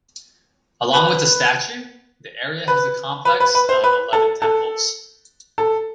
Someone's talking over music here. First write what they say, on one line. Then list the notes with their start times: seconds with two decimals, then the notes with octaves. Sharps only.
Along with the statue, the area has a complex of eleven temples.
0.93 B4
2.68 B4
3.25 B4
3.40 B4
3.55 B4
3.69 C5
3.84 B4
4.13 A4
4.42 A4
5.58 A4